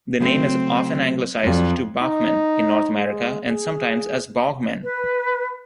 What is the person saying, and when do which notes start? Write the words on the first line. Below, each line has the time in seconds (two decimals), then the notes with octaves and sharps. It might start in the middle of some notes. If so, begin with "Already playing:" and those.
The name is often anglicized to "Bachman" in North America, and sometimes as "Baughman".
0.20 C#3 F#3 A3 C4
1.43 F2 F#3 D5
2.02 D#4
2.96 G#3
3.47 G#4
4.83 B4